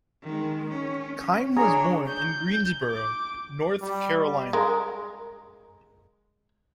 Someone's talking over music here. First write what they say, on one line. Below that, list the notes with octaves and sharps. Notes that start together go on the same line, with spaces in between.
Kime was born in Greensboro, North Carolina.
D#3 G#3
C#4
C#4
D4 G#4 C#5 A#5
G6
D6
G3
G#3 A#4